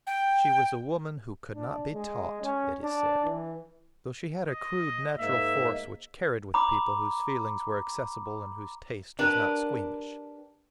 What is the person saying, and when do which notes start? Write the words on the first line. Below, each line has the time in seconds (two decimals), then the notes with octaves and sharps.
She was a woman who could not be taught, it is said, though she had a crude natural force which carried with people whose feelings were accessible and whose taste was not squeamish.
0.07 G5
1.55 D4
1.94 G#3
2.42 C#4
2.82 D4
3.25 E3
4.47 D#5
5.19 G#2 A#3 E5
6.54 A#5 B5 D6
9.19 D4 G4 A#4 B4